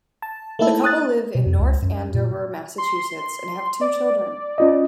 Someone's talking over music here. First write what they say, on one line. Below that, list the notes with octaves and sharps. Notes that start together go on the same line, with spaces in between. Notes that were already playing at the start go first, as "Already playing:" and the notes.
The couple live in North Andover, Massachusetts, and have two children.
A5
A3 A#3 D#4 E4 A4
D#6 F#6 A6
B2
F2
C#2
F#2
A#2
C6
D5
C#4 F4 D#5